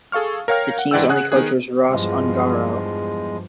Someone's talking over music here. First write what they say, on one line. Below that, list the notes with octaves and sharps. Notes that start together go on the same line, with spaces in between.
The team's only coach was Ross Ongaro.
G#4 A4 F5 C#6 F6
A#4 C#5 F5 G5 F6
F#5
G#2 E3 D5 F#5 G5 E6
C#3 G#4 F#5 F#6
D#3 B3 G#4
E2 G2 F3 G#3